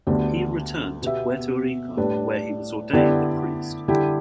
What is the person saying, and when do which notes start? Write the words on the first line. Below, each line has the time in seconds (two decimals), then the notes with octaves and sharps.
He returned to Puerto Rico where he was ordained a priest.
0.07 D2 D3 B3 G4 D5
1.02 B2 B3 G4 E5
1.97 A2 G3 D4 B4
2.93 D3 B3 E4 G4 D5
3.88 D3 G3 E4 G4